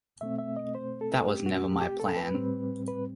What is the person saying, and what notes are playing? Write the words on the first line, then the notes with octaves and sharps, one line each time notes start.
That was never my plan.
B2 A3 C4 E5
E5
D#5
C5
A4
G4
F#4
G4
G4
A4
B4
A2 G3 C4
B4